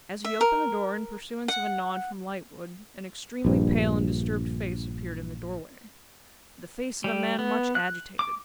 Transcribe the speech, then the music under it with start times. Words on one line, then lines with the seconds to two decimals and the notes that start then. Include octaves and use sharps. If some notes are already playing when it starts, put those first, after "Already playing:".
As he opened the door, in pursuance of a nod from Lightwood, an extremely pale and disturbed face appeared in the doorway--the face of a man much agitated.
0.24 E5
0.41 A#4
1.48 F#5
3.45 A#1 G2
7.04 G3
7.39 B3
7.75 F#6
8.19 D6